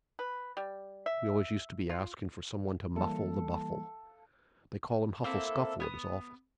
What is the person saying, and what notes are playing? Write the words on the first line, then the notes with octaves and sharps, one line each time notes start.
We always used to be asking for some one to muffle the Buffle. They call him Huffle Scuffle at his office.
B4
G3
E5
F4
E3 G3 A#3 A4 F5
A#3 C4 E4 A4
B3 G#5 D#6